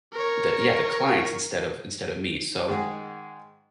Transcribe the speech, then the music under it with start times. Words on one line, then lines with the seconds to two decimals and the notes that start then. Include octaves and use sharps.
the yeah, the clients instead of instead of me, so
0.13 A#4 C#5
2.68 G#2 D#3 G#3 G#4 F#5